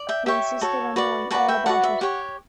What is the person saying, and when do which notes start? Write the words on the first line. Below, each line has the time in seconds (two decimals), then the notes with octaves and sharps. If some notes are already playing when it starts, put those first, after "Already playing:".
He insisted on knowing all about it.
Already playing: D5
0.09 E5 G5
0.26 G4 C#5 E5 G5
0.61 F#4 A4 C#5
0.96 F#4 B4 D5
1.31 F#4 B4 D5 F#5 A5
1.48 E5 G5
1.66 F#4 B4 D5 F#5
1.84 E5
2.01 G4 C#5 F#5